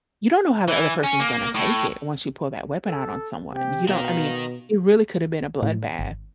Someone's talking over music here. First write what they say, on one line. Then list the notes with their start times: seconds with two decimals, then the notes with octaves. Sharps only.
you don't know how the other person's gonna take it once you pull that weapon out on someone, you don't I mean, it really coulda been a bloodbath,
0.68 E3
1.03 C#4
1.20 A#3
1.55 A2
2.85 A4
3.52 C3 G4
3.88 B2 D#3 D#4 F5
5.62 A2
5.99 G#1